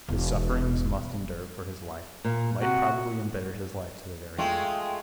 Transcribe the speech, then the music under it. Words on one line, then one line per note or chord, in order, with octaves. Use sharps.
But his sufferings must endure for his life--might probably embitter his life to the very end.
E1
A#2
C3 F#4
G#3 A3 F4 G5